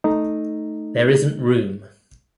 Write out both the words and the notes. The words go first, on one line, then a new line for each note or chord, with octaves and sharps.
There isn't room.
A3 D#4